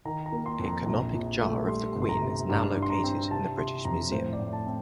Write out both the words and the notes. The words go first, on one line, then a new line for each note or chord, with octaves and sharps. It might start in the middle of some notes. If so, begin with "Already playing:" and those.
A canopic jar of the Queen is now located in the British Museum.
D#3 A#5
A#5
A#3
C6
F2
A#5
A#1 A#5
A#1
A3
G3 C6
G1
C6
A#5
C3
G2 A#5
G2
C6
A#5
C4
C3 A5
C3 C6
F2 A#5
A2 C5
D5
A2
A5
C4